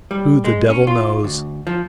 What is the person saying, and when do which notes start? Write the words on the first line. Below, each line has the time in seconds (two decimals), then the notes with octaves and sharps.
Who the devil knows?
0.11 G3
0.44 G#3
0.70 C#4
0.87 F4
1.24 D2
1.67 F3